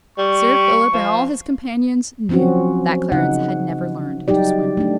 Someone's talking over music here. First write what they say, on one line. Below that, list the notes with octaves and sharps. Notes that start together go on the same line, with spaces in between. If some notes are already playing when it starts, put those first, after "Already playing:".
Sir Philip and all his companions knew that Clarence had never learned to swim.
G3 C#6
F3
F3 F#3 C4 C#4 F#4
C#3 D#4 F#5
F#3 G3 D#4 G4 D5
A3 D4